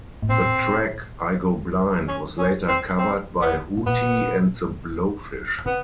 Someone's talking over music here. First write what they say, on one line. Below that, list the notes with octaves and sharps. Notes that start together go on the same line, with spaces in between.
The track "I Go Blind" was later covered by Hootie and the Blowfish.
A2
A#2 C4
C#4
C#4
C4
C4
B3
B2
A#2 B3
C3 B3